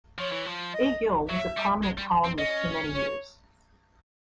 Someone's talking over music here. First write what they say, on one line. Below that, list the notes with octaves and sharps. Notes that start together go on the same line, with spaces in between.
A. Gill was a prominent columnist for many years.
F3 C#5
E3
F3
D#5
F#3 E5
G3
G#3
G3
C4
C#4 D#5
C#5